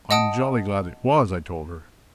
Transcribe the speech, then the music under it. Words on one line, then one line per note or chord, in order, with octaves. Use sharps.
"I'm jolly glad it was!" I told her.
D#5 F#5 A5 D#6 D7